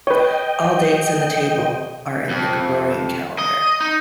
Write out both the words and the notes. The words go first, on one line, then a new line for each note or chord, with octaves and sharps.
All dates in the table are in the Gregorian calendar.
B4 C#5 D#5 G5
F2
D#5
D#4